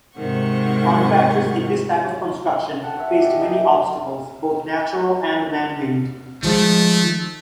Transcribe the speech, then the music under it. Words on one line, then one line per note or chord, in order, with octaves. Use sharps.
Contractors in this type of construction faced many obstacles, both natural and man-made.
G#2 C3 D#3 F#5 C#6
F#5 G5 A5
C#5 E5
D4 G4 D#5
D#4 E5 G#5
D#3 F3 G#3 A3